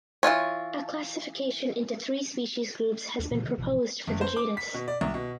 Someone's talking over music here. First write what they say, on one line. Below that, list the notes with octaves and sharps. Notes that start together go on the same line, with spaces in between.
A classification into three species groups has been proposed for the genus.
E3 A3 F4 C#5
D#2 C4 D4
A#2 C#3 E3
C#3 E3 G3 A#3
G#1 B2 E3 F3
F#1
C5
D6
B6
B2
D5
C2
B2